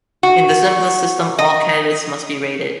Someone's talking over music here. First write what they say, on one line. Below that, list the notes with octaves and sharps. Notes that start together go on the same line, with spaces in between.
In the simplest system, all candidates must be rated.
F#4
D#5